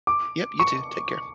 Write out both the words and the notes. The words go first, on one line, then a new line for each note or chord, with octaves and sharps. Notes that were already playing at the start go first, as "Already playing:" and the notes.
Yep. You too. Take care.
D6
C#6